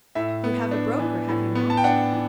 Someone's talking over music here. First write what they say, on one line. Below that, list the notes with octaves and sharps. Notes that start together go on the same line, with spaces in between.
"You have a broker, have you not?"
A2 E5
B3
D4
E3
A2
B3
A5
G5
D4 F#5
E3